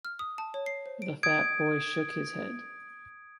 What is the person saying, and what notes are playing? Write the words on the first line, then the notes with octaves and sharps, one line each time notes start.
The fat boy shook his head.
F6
D#6
A5
C#5
C7
C5
D7
D#6 G#6 D7